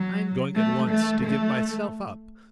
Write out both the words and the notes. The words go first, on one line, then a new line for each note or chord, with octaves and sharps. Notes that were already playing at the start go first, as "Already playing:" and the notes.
I am going at once to give myself up.
Already playing: F#3
A3
A3
A3